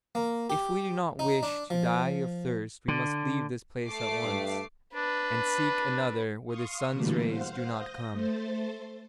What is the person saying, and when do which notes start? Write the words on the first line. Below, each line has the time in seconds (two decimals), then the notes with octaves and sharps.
If we do not wish to die of thirst we must leave this place at once, and seek another where the sun's rays do not come.
0.15 A#3
0.50 G4
1.19 D#4
1.43 D4
1.70 F3
2.88 D3
3.86 A3 D6 C7
4.23 G2
4.95 D4 B4
6.47 F5 C6 C#6 D#6
6.92 B2 D3 E3 G3 A3 A#3
7.27 C5 F5 F#5
7.73 D#6 G6 A#6
8.12 A3 C5 A6